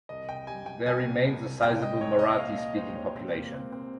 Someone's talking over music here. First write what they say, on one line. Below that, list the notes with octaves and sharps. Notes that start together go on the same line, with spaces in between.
There remains a sizeable Marathi-speaking population.
C2 D#5
G5
G3 G#5
G5
C2 G#5
C2
C2 G5
D#5
C2 C#5
D#5
A#2 F5
D#5
G#3 C5
C#4
C3 C4
A#3
C3 C4
C4